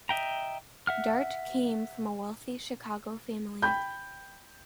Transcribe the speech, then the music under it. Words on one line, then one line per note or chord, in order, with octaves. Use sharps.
Dart came from a wealthy Chicago family.
D#5 E5 G5 A#5
E5 F#5 F6
G5 B5 G6